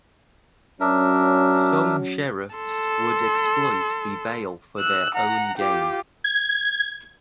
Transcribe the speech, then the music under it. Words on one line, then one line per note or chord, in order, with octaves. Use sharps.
Some sheriffs would exploit the bail for their own gain.
F#3 C#4 D4 A#4 E5
A4 C6
E6 F#6
F#5 A#5
F4 G4
G#6